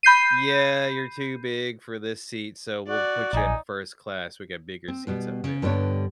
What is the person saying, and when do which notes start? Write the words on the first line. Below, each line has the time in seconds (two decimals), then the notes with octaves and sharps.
"Yeah, you're too big for this seat, so we'll put you in a first class, we got bigger seats up there."
0.03 B5 G6 C7 D#7
2.89 F#4 D5
3.33 A#1 D#4 G#5
4.88 C4
5.07 B2 G3 B3
5.44 C#3
5.62 G2 D3 G3 B3 C#5